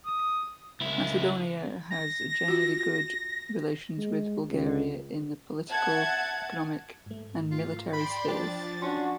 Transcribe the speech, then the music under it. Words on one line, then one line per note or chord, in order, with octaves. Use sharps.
Macedonia has generally good relations with Bulgaria in the political, economic, and military spheres.
D#6
C#2 E4
A#6
F4 F#4
G#3
C#2
E5 F#5 A5 G#6
G#2 A3
F4
D5 G5 B5 C6
F3 D4 G5 A6
C#4 D4 F#4 D5 C6